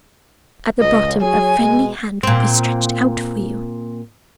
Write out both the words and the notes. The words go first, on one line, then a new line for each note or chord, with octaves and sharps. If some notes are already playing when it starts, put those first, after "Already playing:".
At the bottom a friendly hand will be stretched out for you.
C#2 D#5
F#3 G#4 C#5 G#5
B2 G#3
A#2 C4